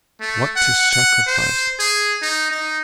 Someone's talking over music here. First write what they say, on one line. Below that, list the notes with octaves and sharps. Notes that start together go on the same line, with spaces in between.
What to sacrifice!
A3
F#5
F#5
C5
G#4
D#4
D#4